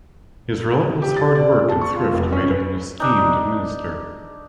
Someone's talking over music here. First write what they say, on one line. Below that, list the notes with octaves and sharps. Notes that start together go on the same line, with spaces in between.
His relentless hard work and thrift made him an esteemed minister.
G4
A6
D5
A#2
A5
C#6
F4
F1
C#4
B4
D4 D#4